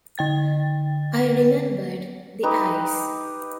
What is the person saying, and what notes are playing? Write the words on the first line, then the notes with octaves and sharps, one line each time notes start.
I remembered the eyes.
D3 G5 A6
D#4 G4 B4 D#5